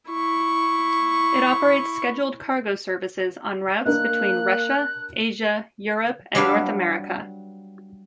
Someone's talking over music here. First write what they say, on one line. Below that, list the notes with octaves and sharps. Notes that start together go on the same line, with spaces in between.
It operates scheduled cargo services on routes between Russia, Asia, Europe and North America.
E4 C#6
A#3 D4 A#4 D#5 F#6
F#3 G3 D4 B4 F5